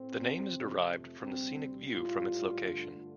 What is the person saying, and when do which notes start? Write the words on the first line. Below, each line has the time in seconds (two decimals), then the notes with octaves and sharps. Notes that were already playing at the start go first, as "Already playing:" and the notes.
The name is derived from the scenic view from its location.
Already playing: A2 A3 C4
0.49 F2 C3 F3 A3
1.20 D2 C3 G3 C4
1.90 A2 G3 F4
2.62 G2 D3 A3